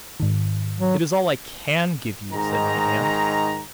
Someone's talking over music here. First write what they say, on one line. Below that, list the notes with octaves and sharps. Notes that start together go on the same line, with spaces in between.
'It is all I CAN give you,' said my aunt.
G#2 D#3
F#3
G#2 D#3 A#5